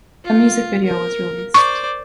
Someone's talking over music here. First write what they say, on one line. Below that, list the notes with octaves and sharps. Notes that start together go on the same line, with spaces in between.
A music video was released.
F4
A#4
C5 D5 C#6